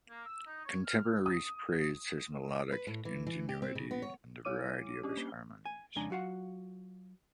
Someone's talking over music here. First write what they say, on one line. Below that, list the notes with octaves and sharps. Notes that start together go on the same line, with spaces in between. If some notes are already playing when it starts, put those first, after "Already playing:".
Contemporaries praised his melodic ingenuity and the variety of his harmonies.
A#3
E6
D#4
C#5
F6
D#6
B4
A2
E3
E3
G4
C4
C#3
B3
C#5
G3 E4 C#5 D6 D#7
C#4 D4 G4
A#3 G7
G#5
F2 C#3 G#3 D4 G#5 A#5
F#3 F4 F#4 F5 F#5